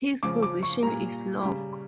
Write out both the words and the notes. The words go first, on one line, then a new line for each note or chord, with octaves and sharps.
His position is lock.
C#3 F3 D6
D6
C#6
A#2 G3 A#5
C#3 G3